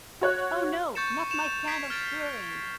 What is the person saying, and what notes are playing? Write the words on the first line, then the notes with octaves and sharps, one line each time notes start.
Oh no, not my kind of swearing.
F#4 C#5 F#6
C#6 G6 A6 C#7 E7
C#6 E7 F7
G#6 B6 C7 D7
F6 A6 D7 E7